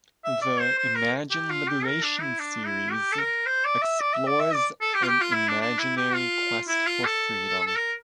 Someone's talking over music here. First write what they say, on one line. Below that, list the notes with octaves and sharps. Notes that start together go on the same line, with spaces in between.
The "Imagine Liberation" series explores an imaginary quest for freedom.
E5
D5
C5
C5
A#4
G4
F4
G4
A#4
D4
E4
D4
E4
G4
A4
A#4
C5
D5
E5
D5
E5
D5
E5
D5
A4
G4
F4
G4
F4
E4
D4
D4
E4
G4
F4
E4
F4
A4
A4
A#4